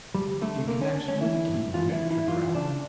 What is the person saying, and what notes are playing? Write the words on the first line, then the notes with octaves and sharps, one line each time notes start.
"In connection with the key unit?" Trigger asked.
D2 G3
D3 A3
D3 A#3
C#4
D3
C#4
E3 E4
G2
E3 F4
E4
E3
E4
E3 F4
C#3 D4